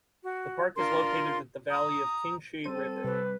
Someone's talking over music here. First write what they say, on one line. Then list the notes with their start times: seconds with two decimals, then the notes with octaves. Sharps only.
The park is located at the valley of the Qingshui River.
0.23 F#4
0.76 D4 F4 A#4 C6
1.69 A#5 D#6
2.64 G3 C4 A4 C5 D#7
3.04 C3 G3 B4